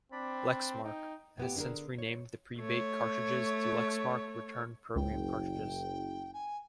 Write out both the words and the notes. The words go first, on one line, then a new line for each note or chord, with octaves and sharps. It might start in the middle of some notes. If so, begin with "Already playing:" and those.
Lexmark has since renamed the Prebate cartridges to Lexmark Return Program Cartridges.
C4 D4 D5 B5
D#4 G5
A2 B3 G4
D3 D4 D#4 G#4 A#4
C#5
A3 C#5
F#1 C#2 G5
G#5